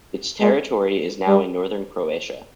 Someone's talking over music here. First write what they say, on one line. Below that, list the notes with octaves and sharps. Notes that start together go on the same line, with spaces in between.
Its territory is now in northern Croatia.
G#3
G3